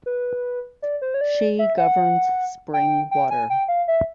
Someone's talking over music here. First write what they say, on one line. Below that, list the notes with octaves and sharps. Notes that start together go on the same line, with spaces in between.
She governs spring water.
B4
D5
C5
C#5
D5
E5
F#5
G5
G5
G#5
G5
F5
E5